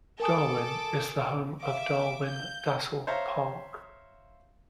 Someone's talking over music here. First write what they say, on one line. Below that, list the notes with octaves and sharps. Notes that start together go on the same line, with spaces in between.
Darwin is the home of Darwin-Dassel Park.
A4 A#4 G#5 D6 D#6
E5 F5 D6
G6
C5 C#5 E5 F5 A#5